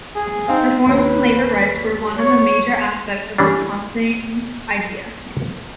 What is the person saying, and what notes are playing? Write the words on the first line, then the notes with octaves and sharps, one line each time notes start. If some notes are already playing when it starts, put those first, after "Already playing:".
Reforms in labor rights were one of the major aspects of the Wisconsin Idea.
G#4
C4 D#4 F5
D#2 A#3 C#4 B4
C#5
E3 G3 C#4 D4